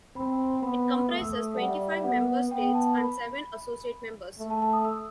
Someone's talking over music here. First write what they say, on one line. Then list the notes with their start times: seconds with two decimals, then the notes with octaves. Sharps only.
It comprises twenty-five member states and seven associate members.
0.16 C4 B5
0.63 B3 B5
1.10 A3 D#6
1.21 E6
1.33 D#6
1.56 G3 F#5
1.68 E5
1.80 E5
1.92 E5
2.04 B3 F#5
2.50 B3 G5
2.74 A5
2.98 B5
4.39 A3
4.50 A5
4.62 A5
4.73 D#6
4.85 E6